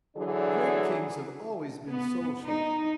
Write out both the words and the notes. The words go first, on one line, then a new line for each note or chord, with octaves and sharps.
Great Kings have always been social.
D3 E3 F#3 D4 G#4
B3
D#4